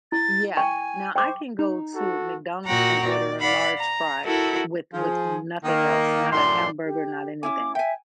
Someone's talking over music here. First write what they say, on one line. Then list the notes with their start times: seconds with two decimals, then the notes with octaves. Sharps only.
Yeah, now I can go to McDonald's and order a large fry with with nothing else, not a hamburger, not anything.
0.12 E4 A6
0.57 G5 G#5 C#6
1.16 C5 G5 C#6 D6
1.59 D#4
1.94 F#4 A4
2.65 A#2 F#4 F#5 G5 A#5
3.09 D5
3.40 D5 F5 F#5 B5
3.78 A#5
4.25 E4 F#4 A4 A#4
4.94 F3 G#4
5.64 D#3 A#3
6.32 F#2 A2 D5 C6
6.85 G4
7.43 C#4 E4 G#5 D6
7.75 E5 G5 G#5